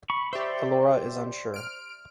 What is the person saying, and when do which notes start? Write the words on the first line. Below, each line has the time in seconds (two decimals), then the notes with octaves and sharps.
Elora is unsure.
0.10 B5 C#6
0.33 G4 C5 D5 E5
1.54 F6 D7